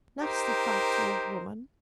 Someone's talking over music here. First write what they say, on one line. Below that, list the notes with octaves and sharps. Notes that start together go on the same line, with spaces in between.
Nasty fat old woman!
D#4 G4 A#4 C5